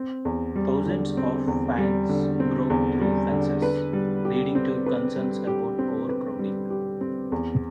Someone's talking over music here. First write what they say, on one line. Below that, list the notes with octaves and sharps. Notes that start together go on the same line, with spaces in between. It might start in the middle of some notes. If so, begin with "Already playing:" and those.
Thousands of fans broke through fences, leading to concerns about overcrowding.
Already playing: C4
E2
G3
D3
C4
E2
G3
D3
C4
E2
G3
D3
B4
G3
G4
C4
B4
G3
G4
C4
B4
G3
G4
C4
E2